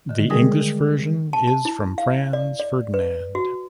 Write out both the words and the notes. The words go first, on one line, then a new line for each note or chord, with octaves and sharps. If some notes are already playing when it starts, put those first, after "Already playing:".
The English version is from "Franz Ferdinand".
D3 D#3
D3 G3 G#3 G#4 A#4 D#6
A5
A5
E4
F5
D5
D5
B4
F#4